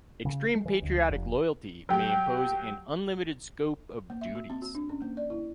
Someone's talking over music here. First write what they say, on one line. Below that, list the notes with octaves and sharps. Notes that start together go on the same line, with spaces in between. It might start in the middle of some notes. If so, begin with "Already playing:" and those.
Extreme patriotic loyalty may impose an unlimited scope of duties.
C#3
G#3
E3
D2
C#2
F1
F#3 G4
A#3
E5
F#4
C4
F#4
D4
C#4
A#3
D5
E4